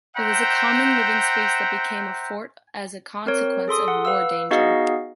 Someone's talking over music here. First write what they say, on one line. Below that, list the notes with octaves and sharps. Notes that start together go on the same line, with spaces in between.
It was a common living space that became a fort as a consequence of war danger.
C5 E5 F#5 G5 A#5
C4 A#4 C#5
G#4 A4 C6 D#6
F#5
B4 F5 E6
B3 D#4 F#4 G#4 D#5 F5